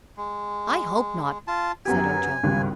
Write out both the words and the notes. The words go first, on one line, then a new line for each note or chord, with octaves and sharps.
"I hope not," said Ojo.
G#3
F4 A5
F#2 B3 G4 G#5
G#1 C#2 G2